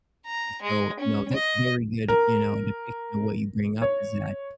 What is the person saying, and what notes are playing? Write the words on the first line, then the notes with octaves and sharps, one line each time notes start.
and so, you know, that's a very good, you know, depiction of what you bring up is that,
A#5
G#3
C#4
D#5
A#4
C#5